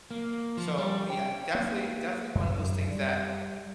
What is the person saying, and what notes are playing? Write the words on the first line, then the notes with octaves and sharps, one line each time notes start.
So, yeah, definitely definitely one of those things that,
A#3
F3
G3
G5
A#3
F#2
G3